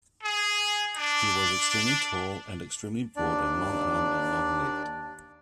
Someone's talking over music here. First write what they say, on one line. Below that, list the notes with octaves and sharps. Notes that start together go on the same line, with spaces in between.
He was extremely tall, and extremely broad, and long-armed, and long-legged.
G#4
D4
D#2 D4 D5